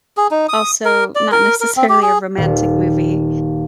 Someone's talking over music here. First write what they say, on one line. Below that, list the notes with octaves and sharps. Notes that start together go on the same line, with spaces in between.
also not necessarily a romantic movie.
G#4
D#4
D#6
A#4
D5
A#4
A#4
C4
G4
G#4
D#1